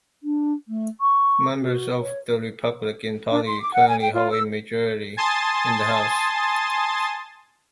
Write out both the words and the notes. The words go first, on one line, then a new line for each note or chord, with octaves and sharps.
Members of the Republican Party currently hold a majority in the House.
D4
A3
C#6
F#4
C#5
D4
C6
D6
F#5
G#5
G5
F4
E6
G#5 A5 C6 D#6 A6